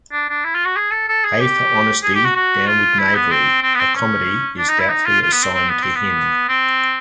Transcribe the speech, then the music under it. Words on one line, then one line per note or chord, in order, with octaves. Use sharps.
"Hey for Honesty, down with Knavery", a comedy, is doubtfully assigned to him.
D4
D4
E4
F4
F#4
G#4
A4
A4
G#4
G4
G#4
G4
F#4
F#4
F4
E4
B3
C4
C4
B3
C4
C#4
D4
D#4
E4
D#4
F4
F4
B3
C4
C4
B3
C4
B3
C4